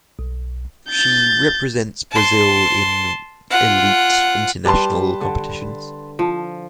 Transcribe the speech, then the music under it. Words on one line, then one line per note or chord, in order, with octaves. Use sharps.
She represents Brazil in elite international competitions.
B1
G6 A6
A5 C6
F4 F#5
G3 B4 A5 C6
D3
F3